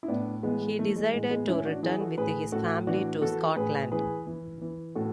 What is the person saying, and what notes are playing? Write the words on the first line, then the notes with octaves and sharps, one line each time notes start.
He decided to return, with his family, to Scotland.
E4
A2 B3 D4
E3 G#3 B3
E3 A3
G#3
A2 G#3
G#3 B3
E3 C#4 E4
D4 F#4
E3 E4 G#4
F#4 A4
A2 G#4 B4
A2 F#4 A4
E3 D4 F#4
E3 F#4 A4
A2 G#4 B4
E3 G#4 B4
E3
E3
A2 F#4 A4